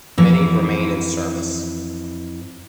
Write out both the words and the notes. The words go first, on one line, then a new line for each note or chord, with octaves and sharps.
Many remain in service.
F2 E3